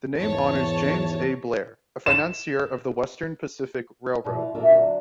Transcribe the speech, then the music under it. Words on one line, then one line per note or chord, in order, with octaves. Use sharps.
The name honors James A. Blair, a financier of the Western Pacific Railroad.
E2 G#2 E3 C#5 A5
E7
E2 G2 B2 F3
F4
D4 F4 F#4 A#4 E5
D3 F#3 C4 D4